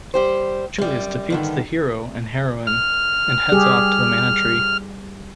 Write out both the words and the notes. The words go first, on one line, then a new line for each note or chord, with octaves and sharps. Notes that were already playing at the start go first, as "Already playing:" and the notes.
Julius defeats the hero and heroine, and heads off to the Mana Tree.
G3 G4 C5
F#2 G3
G2 D3 D#3
F6
G3 G4 G#4